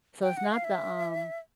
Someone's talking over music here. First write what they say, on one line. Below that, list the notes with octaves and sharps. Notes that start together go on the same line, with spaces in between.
so it's not the, um,
G5
F#5
F5
E5